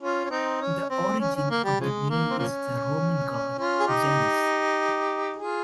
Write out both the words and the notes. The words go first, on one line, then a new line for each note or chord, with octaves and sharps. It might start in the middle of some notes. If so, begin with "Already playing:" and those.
The origin of the name is the Roman god, Janus.
C#4 F4
C#4
C4 D#4
C#4
C4
C#4
C#4
A#3
G3
C#3 F3 G#3
A#3
C4
F3 A#3 C#4
C#4 F4
G#4
D#4 G4
F4 G#4